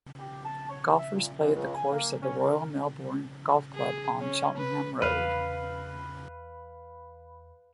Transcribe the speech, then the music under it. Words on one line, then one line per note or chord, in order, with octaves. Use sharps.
Golfers play at the course of the Royal Melbourne Golf Club on Cheltenham Road.
G4
A5
C#5
E5
A#2
F#2
C#2
G#5
A#3
C#4
A#4
G#4
C#4
B4
E2 B4 F5 B5